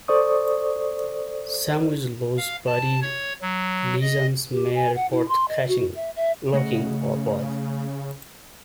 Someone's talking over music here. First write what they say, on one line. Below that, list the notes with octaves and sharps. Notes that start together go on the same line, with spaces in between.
Some with loose body lesions may report catching, locking, or both.
A4 C5 D5 C#6 D#6
F5
A5
C#5
F#3
D#5
G4
G#5
F#5
E4
C6
D#5
F#4
E5
E5
C#3 A3 D#5 F#5